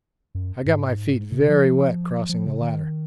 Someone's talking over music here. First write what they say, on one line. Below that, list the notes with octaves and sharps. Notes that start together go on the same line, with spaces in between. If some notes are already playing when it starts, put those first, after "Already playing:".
I got my feet very wet crossing the latter.
F#2
G#2
C3
F3
F3
C#3
D#3